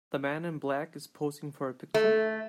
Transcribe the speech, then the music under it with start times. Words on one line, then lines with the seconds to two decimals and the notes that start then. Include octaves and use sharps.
The man in black is posing for a picture.
1.94 A3